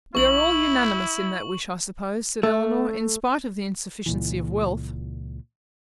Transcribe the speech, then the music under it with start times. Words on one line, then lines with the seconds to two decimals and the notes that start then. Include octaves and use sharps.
"We are all unanimous in that wish, I suppose," said Elinor, "in spite of the insufficiency of wealth."
0.15 A#1 E4 C#6 F#7
2.43 A3
4.06 C#2 A#2 E3